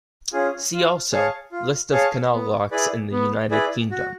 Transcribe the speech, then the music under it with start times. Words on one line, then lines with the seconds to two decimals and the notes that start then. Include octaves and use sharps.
"See also" List of canal locks in the United Kingdom.
0.33 C#4 F4 G#4
0.73 F4
1.12 G#4 C#5 F5 A5
1.52 F4
1.92 G#4 C#5 F5 A5
2.32 B3
2.71 E4 G#4 B4 D5
3.12 B3
3.51 E4 G#4 B4 D5
3.91 F#4